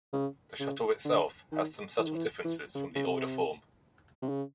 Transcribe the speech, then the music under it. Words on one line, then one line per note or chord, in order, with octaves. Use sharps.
The shuttle itself has some subtle differences from the older form.
C#3
C#3
D3
D#3
E3
D#3
E3
E3
C#3
C#3
C3
C3
C#3